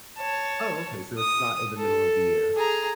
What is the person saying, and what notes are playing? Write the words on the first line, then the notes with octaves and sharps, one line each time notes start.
Oh, okay, so it's not in the middle of the year.
C#5 A5
D#6
A4
G#4 A#5